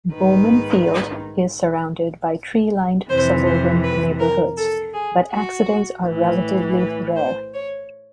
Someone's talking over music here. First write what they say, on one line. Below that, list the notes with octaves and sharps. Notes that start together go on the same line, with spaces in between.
Bowman Field is surrounded by tree-lined suburban neighborhoods, but accidents are relatively rare.
G#2 D#3 B4
F2 C3 E3 C5
C5
B4
A#4
A4
G#4
F#4
A2 E3
B4
C5
C#5